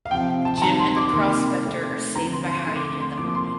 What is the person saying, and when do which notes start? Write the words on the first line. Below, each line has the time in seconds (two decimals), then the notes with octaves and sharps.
Jim and the prospector are saved by hiding in the mine.
0.05 F5
0.11 C3 F3 C4 G5
0.45 A5
0.57 A5
0.62 D#3 G3 C4 A#5
0.79 C6
0.97 D6
1.13 C3 D#3 A#3 C6
1.64 D#3 A3 C4
2.16 D3 F3 C4 A#5
2.32 C6
2.50 C6
2.66 D3 A3 C4 C6
2.76 D6
2.83 C6
3.00 C6
3.17 C3 F3 A#3 D6
3.35 C6